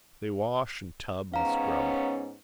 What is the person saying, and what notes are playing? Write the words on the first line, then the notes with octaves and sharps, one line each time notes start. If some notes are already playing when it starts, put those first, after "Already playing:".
They wash and tub and scrub.
G#2 B3 C#4 F5 A#5